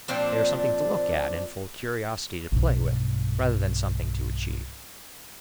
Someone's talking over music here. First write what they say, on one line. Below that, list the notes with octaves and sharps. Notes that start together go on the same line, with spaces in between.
They are something to look at and for curiosity to play with rather than something to achieve.
A#2 F3 C4 D4
B1 G2